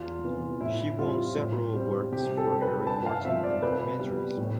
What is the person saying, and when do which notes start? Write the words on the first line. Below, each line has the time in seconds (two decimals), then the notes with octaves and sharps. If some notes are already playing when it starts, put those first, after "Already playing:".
She won several awards for her reporting and documentaries.
Already playing: E2 F4
0.24 C3 E3 B3
0.61 A2 E4
0.99 G3 C4 F4
1.37 A2
1.74 G3 C4
2.11 C3 G4
2.37 A4
2.50 G3 C4
2.62 B4
2.87 G2 A5
3.06 F5
3.25 F3 C4 E5
3.43 D5
3.62 C3 B4
4.00 G3 B3
4.38 A2